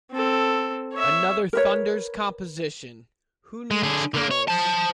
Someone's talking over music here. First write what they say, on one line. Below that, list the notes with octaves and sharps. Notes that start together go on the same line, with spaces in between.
Another Thunders composition, Who Needs Girls?
C4 A4
C#5 E5
A#4 B4 C#5
G#3
D3 G#4
D3 A#3
C#5
C5 A5